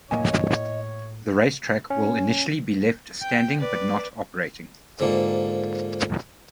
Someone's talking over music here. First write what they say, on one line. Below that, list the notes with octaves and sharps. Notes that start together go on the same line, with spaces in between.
The racetrack will initially be left standing but not operating.
A2 A#3 C#5 D#5 G#5
C#4
G5
B4 D5
G#2 D3 F3 A#3